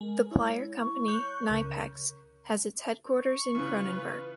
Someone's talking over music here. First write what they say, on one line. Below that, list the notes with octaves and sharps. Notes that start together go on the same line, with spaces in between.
The plier-company Knipex has its headquarters in Cronenberg.
G#3 A#4
E4 C#5
C#6
C#5 F#6 G6
C#2 C#3 A#4
C#6
C#3 E3 F4 B4